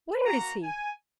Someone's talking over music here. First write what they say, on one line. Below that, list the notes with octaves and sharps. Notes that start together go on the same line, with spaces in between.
Where is he?
A#3 F#4 A#5
G#5